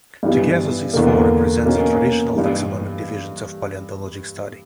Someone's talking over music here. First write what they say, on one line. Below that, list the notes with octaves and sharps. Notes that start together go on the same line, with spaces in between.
Together these four represent the traditional taxonomic divisions of paleontologic study.
G2 E3 G3 B3 E4
E2 D3 A#3
B2 A#3 C#4
G2 E3 G3